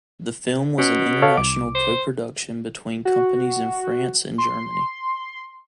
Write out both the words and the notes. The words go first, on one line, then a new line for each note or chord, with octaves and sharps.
The film was an international co-production between companies in France and Germany.
B2 C#4
A4 C#5 F5
C2 D6
C5
F#4
C6